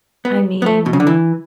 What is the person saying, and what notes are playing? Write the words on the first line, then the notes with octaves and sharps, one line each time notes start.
I mean,
B3
B3
A3
B2
C#3
D3
E3